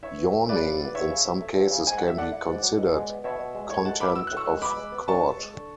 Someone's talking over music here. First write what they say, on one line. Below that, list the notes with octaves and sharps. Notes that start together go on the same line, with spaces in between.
Yawning in some cases can be considered contempt of court.
E3 C#5 E5
B3
E4
E3 B4 D5
E3
B3
E2 C#5 E5
C#3
F#3
A3
E2
C#3
G#2 G#5
F#3 F#5
E5
A3 D5 F#5
E4
G#2
F#3
B2
G#3
B3
B2 C#5 E5
B2
G#3
A2 C#5
G#3 F#5 A5
B3 B5 D6
F#4 E6
A2 F#6
C#6 E6
G#3
B2 B5 D6
G#3
B3
D4 A5 C#6
B2
G#3
D3